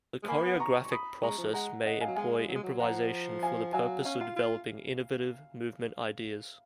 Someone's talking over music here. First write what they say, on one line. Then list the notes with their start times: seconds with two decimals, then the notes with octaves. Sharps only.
The choreograhic process may employ improvisation for the purpose of developing innovative movement ideas.
0.23 G#3
0.28 A#3 G#5 B5
0.45 B3
0.60 A#5 C#6
0.85 C#6
0.91 B5 D#6
1.22 G#3 A#5 C#6
1.38 F3
1.53 G#3 F#5 A#5
1.86 D#5 F#5
2.01 F5 G#5
2.07 F#3
2.16 G#3 F5 G#5
2.38 G#3
2.48 F#3
2.56 G#3
2.63 F#3
2.79 F3 F#5 A#5
3.42 F5 G#5
3.73 F#3 F5 G#5
4.05 C#4 F5
4.20 F4 F5
4.36 F4